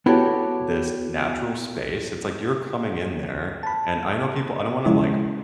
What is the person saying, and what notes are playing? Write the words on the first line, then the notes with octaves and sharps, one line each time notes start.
this natural space, it's, like, you're coming in there, and I know people I don't wanna, like,
B3 E4 F#4 G4 A4 C#5
A5 B5
C#3 F3 G#3 C#4 E4